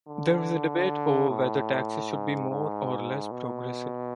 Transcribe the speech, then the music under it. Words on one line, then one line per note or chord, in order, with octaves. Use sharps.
There is debate over whether taxes should be more or less progressive.
D3
A2
G#2
G#2
B2